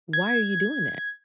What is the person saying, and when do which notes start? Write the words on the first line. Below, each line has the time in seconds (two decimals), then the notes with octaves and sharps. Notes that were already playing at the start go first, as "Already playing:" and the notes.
why are you doing that?"
0.13 G#6